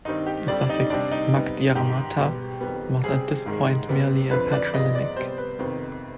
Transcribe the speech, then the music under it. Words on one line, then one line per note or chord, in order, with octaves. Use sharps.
The suffix "mac Diarmata" was at this point merely a Patronymic.
G2 D#3 G3 C4 D#4
G4
F2 D3 G3 C4 D5
D#4
C3 G3 C4 D4
D#4
C3 G3 B3
G#2 D#3 G#3 G4
B2 G3 B3
F2 D#3 G3 B3
C3 G3 C4 G#4
G#2 D#3 G#3
C3 G3 B3
F2 D3 F3 B4
D5
G#2 F3 G#3 B3 D#5
D5
C3 G3 B3 C5
B4
F2 C3 D#3 B3